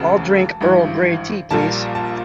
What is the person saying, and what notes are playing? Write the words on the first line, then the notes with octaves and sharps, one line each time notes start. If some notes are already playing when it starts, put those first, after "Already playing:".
I'll drink Earl Grey tea please.
Already playing: E1 D2 C#3 A5
G#1 G2 E3
A#1 A#2 G3 A#3 A5
A5